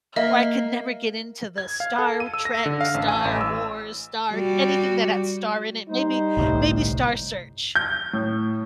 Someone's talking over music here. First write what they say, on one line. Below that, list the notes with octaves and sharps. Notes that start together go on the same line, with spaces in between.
or I could never get into the Star w Trek, Star Wars, Star anything that had star in it, maybe maybe Star Search,
A#3 D#5 E5
G#6
F5
A4
D#7
E6
A#6
D3
F5
A1
G#5
A1
E6
G3 F#4
G3 D#4 C5
G1 C2 A2
G6
A2